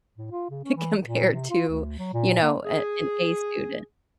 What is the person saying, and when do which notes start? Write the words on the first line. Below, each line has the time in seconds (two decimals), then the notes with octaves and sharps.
compared to, you know, a an A student.
0.17 A2
0.31 F4
0.50 C#3
0.64 C#4
0.76 E3
1.03 A#2
1.33 C3
1.50 F4
1.69 D2
1.99 F#3
2.13 A#2
2.42 A#3
2.65 G#4